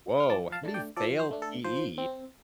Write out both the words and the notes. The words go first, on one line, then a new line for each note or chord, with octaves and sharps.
Woah! How do you fail PE?
F6
F3 A5 D6
F5 A5
A3 D4 A5
D5 G5
F3 A4 D5
C5
A3 D4
A4
F3 C5
C4